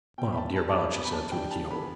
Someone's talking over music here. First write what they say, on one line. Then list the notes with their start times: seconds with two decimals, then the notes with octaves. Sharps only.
'Bob, dear Bob!' she said, through the keyhole.
0.18 B2 G5
0.32 B5
0.37 A5
0.56 G3 D4 A5
0.69 A5
0.76 B5
0.94 B2 B5
1.05 B5
1.13 A5
1.32 G3 D4 G5
1.51 A5
1.70 E2 B5